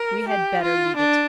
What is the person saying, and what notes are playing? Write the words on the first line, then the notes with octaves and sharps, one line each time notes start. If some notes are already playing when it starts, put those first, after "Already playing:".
We had better leave it.
Already playing: A#4
G4
F4
D4